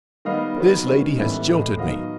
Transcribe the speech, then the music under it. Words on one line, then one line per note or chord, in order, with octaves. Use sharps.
"This lady has jilted me."
D#3 G3 B3 D#5 F5
D#3 F#3 B3
D#3 G#3 C#4
A2 E3 G3 B3 E5 F#5
A2 E3 G#3
D#3 F#3 B3 D#5 F5